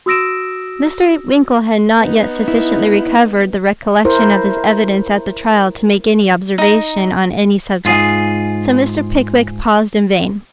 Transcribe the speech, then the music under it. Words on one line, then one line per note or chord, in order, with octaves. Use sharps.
Mr. Winkle had not yet sufficiently recovered the recollection of his evidence at the trial, to make any observation on any subject, so Mr. Pickwick paused in vain.
F#4 D#6 E6 A#6 D7 E7
B3 D#4
E4
E4 A#4 C5
D#4 A#5
G#2 F4 G#4